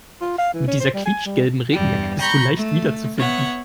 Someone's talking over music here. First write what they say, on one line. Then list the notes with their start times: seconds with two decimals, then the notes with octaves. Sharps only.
Mit dieser quietschgelben Regenjacke bist du leicht wiederzufinden.
0.22 F4
0.38 F5
0.54 E3
0.68 C#4
0.80 C5
0.94 G3
1.06 G#5
1.26 G3
1.71 E2 G2 G3
2.20 A#5 B5 C#6 G6
2.56 A3
3.17 B3 C#5 E5 F#5